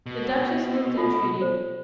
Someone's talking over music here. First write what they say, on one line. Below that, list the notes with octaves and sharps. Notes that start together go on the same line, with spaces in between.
The Duchess looked entreaty.
B2
F4 A4
C5